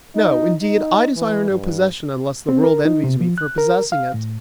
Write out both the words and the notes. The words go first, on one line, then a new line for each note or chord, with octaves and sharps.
No, indeed I desire no possession unless the world envies me for possessing it.
D#4
D#4
E3
G2
C4
A#4
D#4
C3
F3
F#6
A#4
F5
A2